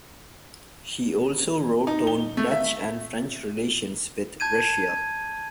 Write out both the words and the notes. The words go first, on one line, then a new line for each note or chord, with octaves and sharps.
She also wrote on Dutch and French relations with Russia.
D#4
G7
A3
E5
A5 G6 G#6 D#7